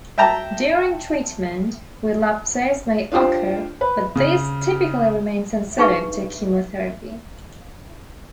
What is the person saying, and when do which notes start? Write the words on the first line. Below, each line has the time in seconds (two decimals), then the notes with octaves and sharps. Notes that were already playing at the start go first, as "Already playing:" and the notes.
During treatment, relapses may occur but these typically remain sensitive to chemotherapy.
0.18 E5 G5 A5 A#5
3.12 D4 F4 G4 C5
3.81 B4
4.15 C#3
5.78 D4 D#4 G4 G#4 B4 C#6